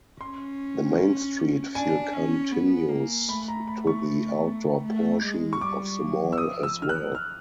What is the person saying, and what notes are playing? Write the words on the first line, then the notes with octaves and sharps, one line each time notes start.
The Main Street feel continues to the outdoor portion of the mall, as well.
C#4 C6
D4 G#5
C#4
B3
A#3
A3 B5
A#5
B5
C#6
A3
G#3
C#6
G3 D6
F#3
E6
F3 D#6
E6
F6
F#6
F6